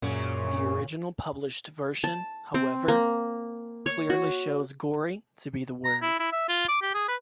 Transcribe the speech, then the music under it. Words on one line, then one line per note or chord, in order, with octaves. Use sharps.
The original published version, however, clearly shows "gory" to be the word.
F#2 A#2 C#3 C#4
A5
C4
A#3
C#5
F#4
A#5
E4
E4
E5
F4
D6
G4
G#4
B4